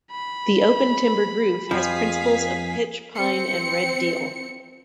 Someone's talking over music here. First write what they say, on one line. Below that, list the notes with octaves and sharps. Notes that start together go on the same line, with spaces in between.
The open timbered roof has principals of pitch pine and red deal.
B5
F2 F3 G#4 F5 B6
C4 C#7